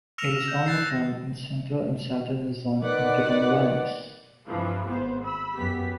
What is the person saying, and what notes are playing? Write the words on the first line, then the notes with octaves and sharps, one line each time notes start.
It is only found in Central and Southern Luzon and Catanduanes.
E6 F6 A#6 C#7 E7 F7
F6
G6
F#6 A6 C7
D#3 B4 D5 F#5
G2 C3 E3 F3
G#1 B3 C5
B5 E6
F#2 B3 G4 B6